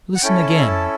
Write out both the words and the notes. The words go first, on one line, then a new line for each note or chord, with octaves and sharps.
Listen again.
F#5
C#4 E4 A4 G5
A5
A5